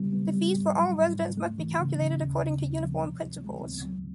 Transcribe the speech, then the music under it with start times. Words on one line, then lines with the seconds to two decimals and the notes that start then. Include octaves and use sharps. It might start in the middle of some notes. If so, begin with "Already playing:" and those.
The fees for all residents must be calculated according to uniform principles.
Already playing: C#3 G3 B3
0.13 B3
0.34 G3
0.55 G#2
0.76 F#3
0.96 G#2
1.16 G#2
1.37 A3
1.58 E3
1.79 C#3
2.00 C#3
2.20 D#2
2.41 C#3
2.61 D#2
2.83 F3
3.03 C3
3.23 D2
3.45 G#3
3.65 D2
3.86 F#3